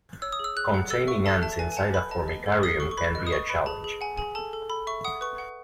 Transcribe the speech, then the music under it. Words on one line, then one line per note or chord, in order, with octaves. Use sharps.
Containing ants inside a formicarium can be a challenge.
C#5 E6
D#6
G#4 E6
G#4 F#6
F#5
A4 E6
E5 C#6
A4 A5
E5 A5
B4 G#5
G#5
F#5 A5
B4 B5
D#5 A5
D#5
A4
A4 D#6
A4 C#6
C#6
B4 B5
D#5
D#6
D#5 C#6
B4 B5
G#4 A5
G#4
F#5 G#5
G#4 G#5
A4 A5
A4
A4 B5
E5 C#6
F#5 D#6
B4 C#6
F#5